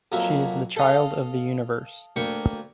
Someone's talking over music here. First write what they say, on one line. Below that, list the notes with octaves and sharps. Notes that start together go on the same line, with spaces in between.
She is the child of the universe.
F2 F#3 A#3 E5 B5
A4 D#5 F5
D2 A#3 G5 B5 C#6